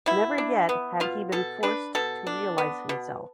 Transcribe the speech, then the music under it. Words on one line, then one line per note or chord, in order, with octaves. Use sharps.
Never yet had he been forced to realise himself.
B2 E4
D4
B3
B2 F4
B2 A4
D4 B4
B2 A4
D4
B3
B2